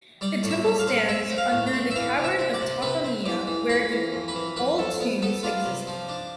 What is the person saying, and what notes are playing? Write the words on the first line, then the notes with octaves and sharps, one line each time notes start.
The temple stands under the cavern of Takamiya where the old tombs existed.
G3 D5
A2
E5
G3
F5
C4
C4 E5
C4
F5
A2
G5
C4
E5
E3 F5
C3
E5
C4
D5
C3
C3 B4
C4
E3 G4
E3
F2 B4
E3
F2
B4
E3
F2 B4
F2 A4
B3
B3 A4
D4 F4
C3
F3
D4